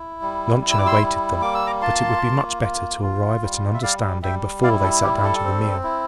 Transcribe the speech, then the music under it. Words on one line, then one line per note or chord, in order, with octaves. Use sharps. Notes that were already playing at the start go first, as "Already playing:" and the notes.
Luncheon awaited them, but it would be much better to arrive at an understanding before they sat down to the meal.
Already playing: E4
G3
E4
E6
D6
C6 E6
G3
A#3 D6
E6
A#5 D6
F4 A5 C6
A#3
F4
F4
G3
E5
G3 D5 F5
G3 E5 G5
E4 D5 F5
A4
G3 G4
A4
C4
E4